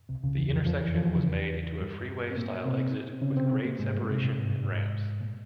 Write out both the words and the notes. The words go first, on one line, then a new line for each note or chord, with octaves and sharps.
The intersection was made into a freeway-style exit with grade separation and ramps.
C2 C3
C#2 C#3
E2 E3
F2 F3
F2 F3
E2 E3
F3
E3
C#3
E2 E3
G2 G3
C4
A#2 A#3
C3 C4
C4
C#3 C#4
C3 C4
C3 C4
A#2 A#3
G#2 G#3
G2 G3
C3
A#2
G#2
G2
G#2
A#2